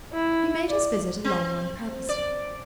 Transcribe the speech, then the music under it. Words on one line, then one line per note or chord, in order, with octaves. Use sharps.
He made his visit a long one purposely.
E4
D5
C4
D5